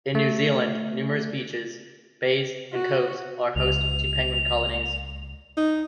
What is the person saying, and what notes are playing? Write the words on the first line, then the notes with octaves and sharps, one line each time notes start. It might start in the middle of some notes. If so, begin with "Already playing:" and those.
In New Zealand numerous beaches, bays and coves are host to penguin colonies.
A3
F#4
C#2 F7
D#4